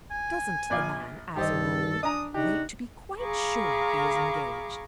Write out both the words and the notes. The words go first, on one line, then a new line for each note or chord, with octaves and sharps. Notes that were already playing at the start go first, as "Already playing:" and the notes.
"Doesn't the man, as a rule, wait to be quite sure he is engaged?"
G#5
A#1 D5 F5
G2 D#3 G4 A4 C5 D#5
D4 G#5 A#5 D#6
C#3 D4 D#4 F#4 G4
G#4 F5 A#5 B5 C#6 D6